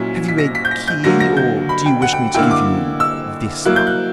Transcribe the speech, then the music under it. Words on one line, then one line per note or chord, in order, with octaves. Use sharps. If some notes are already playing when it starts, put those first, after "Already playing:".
"Have you a key, or do you wish me to give you this one."
Already playing: A#2 F#3 C#4 E4 B6
B6
A#6
B6
G6
A#6
G6
D3 F#3 A#3 A#6
A#6
G6
B5
G5
F#5
G5
D3 A#3 E4 G5
D6
E6
F#3 A#3 E4 F#6
G6
F#6